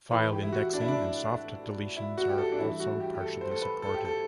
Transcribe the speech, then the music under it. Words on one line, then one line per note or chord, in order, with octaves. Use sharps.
File indexing and soft deletions are also partially supported.
A2 E3 B4
G4
E4
F#4
D4
E4
D4
E4
F#4
G4
A4
D4
G2 E3 E4
F#4
G4
G4
A4
C5
A4
B4
A4
G4
A4